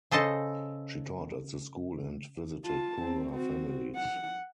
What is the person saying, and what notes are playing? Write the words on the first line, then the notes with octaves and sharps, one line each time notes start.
She taught at the school and visited poorer families.
C#3 A4 C5 D#5 A5
F4 A5
C4
C4 F#4
F#5